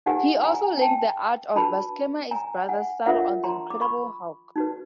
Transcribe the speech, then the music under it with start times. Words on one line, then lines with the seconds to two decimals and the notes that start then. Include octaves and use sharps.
He also inked the art of Buscema's brother Sal on "The Incredible Hulk".
0.06 D#4 G4 B4 F#5 G#5
0.44 G#5 A#5
0.77 G#5
0.81 G5 A5
1.56 D4 F#4 B4 A5 B5
2.31 G#5 A#5
2.69 F#5 G#5
3.06 D4 F4 A#4 C#5 E5 F#5
3.44 A#5 C6
3.70 D6
3.81 B5 C#6
4.56 D#4 F#4 B4